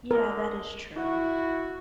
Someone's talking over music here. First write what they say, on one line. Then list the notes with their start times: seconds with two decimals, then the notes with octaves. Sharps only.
Yeah, that is true.
0.11 D3 G#3 A#4
0.97 E4 F#4